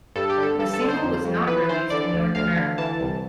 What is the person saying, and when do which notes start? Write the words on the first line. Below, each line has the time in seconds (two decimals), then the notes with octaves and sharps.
The single was not released in North America.
0.16 G2 A4
0.29 G4
0.38 D3
0.43 A4
0.59 G2 A4
0.74 A4
0.81 D3
0.88 C5
1.03 F2
1.25 F2
1.47 E3 B4
1.69 E3 C5
1.90 D3 D5
2.13 D2
2.35 D2 F5
2.57 D3
2.78 E3 A5
3.00 C2